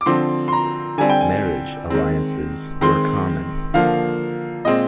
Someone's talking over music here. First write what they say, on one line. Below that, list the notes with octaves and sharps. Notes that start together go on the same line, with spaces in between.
Marriage alliances were common.
D6
D3 F3 C4 C6
C6
A#5
D3 G3 C4 G#5
G5
G#5
D#3 G#3 C4
D#3 G#3 C4 C6
D3 F3 A#3 F5
A#2 G#3 C4 D#5